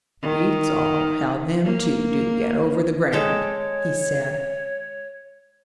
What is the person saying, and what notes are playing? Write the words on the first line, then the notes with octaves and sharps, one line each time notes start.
"Beats all how them two do get over the ground," he said.
D#3
A#3
G#3 A4 C#5 G5